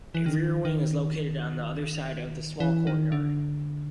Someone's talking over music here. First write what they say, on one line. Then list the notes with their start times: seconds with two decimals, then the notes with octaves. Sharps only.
A rear wing is located on the other side of the small courtyard.
0.15 E3
0.26 D#3
0.65 D#3
2.60 E3
2.87 D#3
3.12 D3